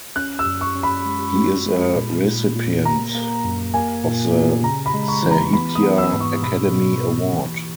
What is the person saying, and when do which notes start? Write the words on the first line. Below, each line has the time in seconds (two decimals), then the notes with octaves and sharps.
He is a recipient of the Sahitya Akademi Award.
0.16 C#4 F#6
0.39 E6
0.46 F#2
0.61 C#6
0.75 C#4
0.83 B5
1.06 G#3
1.36 F#4
1.66 G#3
1.95 A#2
2.25 A#2
2.55 A#2
2.85 A#3 A#5
3.15 A#3
3.45 F#2
3.74 A#3 G#5
4.04 A#2
4.33 A#2
4.63 C#3 A#5
4.86 B5
4.94 G#3
5.08 C#6
5.23 E3
5.31 A#5
5.53 B3 B5
5.75 D#6
5.82 B3
5.98 E6
6.13 G#2
6.20 C#6
6.43 B2 B5
6.73 B2
7.03 A#3
7.32 E3